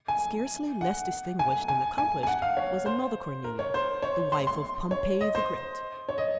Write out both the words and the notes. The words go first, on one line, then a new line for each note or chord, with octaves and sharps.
Scarcely less distinguished and accomplished was another Cornelia, the wife of Pompey, the Great.
G#5
F#5
G#5
G#5
G#5
G#5
F#5
F5
C#5
C5
A#4
C#5
C5
C#5
C6
C6
C#5
D#5
C5
C#5
D#5